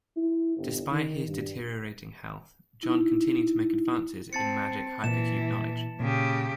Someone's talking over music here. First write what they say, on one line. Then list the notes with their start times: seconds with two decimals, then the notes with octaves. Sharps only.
Despite his deteriorating health, John continued to make advances in magic hypercube knowledge.
0.15 E4
0.57 G1
0.90 D#3
1.27 G2
2.83 D#4 E4
4.33 C4 A5 A6 C#7
5.04 A#2 E3 E7
6.00 A#2 C#3 G4